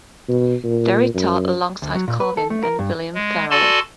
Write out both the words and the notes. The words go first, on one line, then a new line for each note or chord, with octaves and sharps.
There he taught alongside Calvin and William Farel.
B2
A#2
F#2
D2
F#3
A#2
B4
A4
A3
A#4
G2
G#3
F#4 A4 D5 G#5 A5 C6